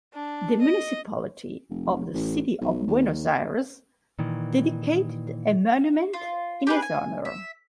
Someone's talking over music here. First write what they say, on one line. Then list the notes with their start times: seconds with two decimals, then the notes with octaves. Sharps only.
The municipality of the City of Buenos Aires dedicated a monument in his honor.
0.13 D4
0.61 D#5
1.70 F1
2.14 A1
2.61 B1
2.88 D#2
4.19 A#2 D#3 E3
6.13 F4
6.67 G4 G#4 B4
6.82 G#5
7.25 E5